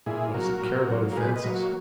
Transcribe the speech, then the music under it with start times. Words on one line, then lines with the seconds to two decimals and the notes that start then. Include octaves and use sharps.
What does it care about offences?
0.06 A#2 E4 G#4
0.34 F#3 A#3 F#4 A#4
0.62 A#2
0.89 F#3 A#3
1.13 A#4
1.17 A#2 G#4 B4
1.36 B4 D#5
1.45 F#3 A#3
1.54 F#4